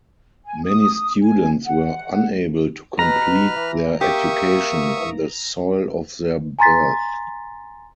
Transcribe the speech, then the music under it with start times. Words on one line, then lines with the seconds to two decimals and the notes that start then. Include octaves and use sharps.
Many students were unable to complete their education on the soil of their birth.
0.44 G#5
0.64 D#6
1.22 G#5
1.66 F#5
2.99 B2 B4 A#5 F6
3.56 E3
4.01 A#3 G4 E5 C#6 D#6
6.59 G#5 A#5 C6 A6 B6